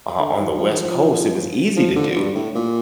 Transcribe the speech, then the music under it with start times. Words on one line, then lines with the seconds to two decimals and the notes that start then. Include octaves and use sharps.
o on the West Coast, it was easy to do,
0.19 D3
0.39 D#3
0.58 F3
0.71 D#3
0.78 F3
1.77 F3
1.96 D3
2.16 G2
2.35 A2
2.55 A#2